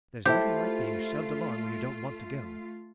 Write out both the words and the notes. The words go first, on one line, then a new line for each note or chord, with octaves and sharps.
There's nothing like being shoved along when you don't want to go.
A3 E4 F4 G4 A4 C5